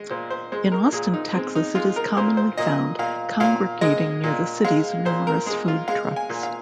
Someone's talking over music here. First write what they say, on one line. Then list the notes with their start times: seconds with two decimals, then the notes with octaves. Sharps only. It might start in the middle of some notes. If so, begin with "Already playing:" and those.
In Austin, Texas, it is commonly found congregating near the city's numerous food trucks.
Already playing: G#3 D#5
0.10 A#2 C5
0.30 C5
0.52 G#3 C5
0.72 A#4
0.92 A#2 G#4
1.14 D#4
1.34 G#3 C4
1.55 D#4
1.75 G#3 F4
1.96 A#4
2.17 A#2 C5
2.37 C5
2.57 A#2 D#5
2.99 A#2 F5
3.40 A#2 F5
3.81 G#3 D#5
4.24 A#2
4.65 G#3 F5
5.05 A#2 C5
5.27 A#4
5.46 G#3 G#4
5.68 F4
5.88 G#3 F5
6.16 G#5
6.30 A#2
6.43 F5